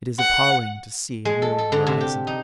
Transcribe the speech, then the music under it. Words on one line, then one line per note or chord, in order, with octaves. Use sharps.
It is appalling to see a new horizon.
F#5
G#3
A4
A4
D3
C3
G4
D#4